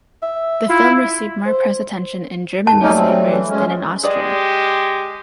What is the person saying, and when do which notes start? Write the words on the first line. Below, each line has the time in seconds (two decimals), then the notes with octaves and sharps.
The film received more press attention in German newspapers than in Austria.
0.22 E5
0.69 E4 F4
1.46 C5
2.67 D#2 G#2 A5
2.81 F#3 G3 A3 A#3 C#4 D#4
2.96 C4
3.26 E3
3.49 G#3 C#4
4.03 G#3 G4 G#4 D5 D#5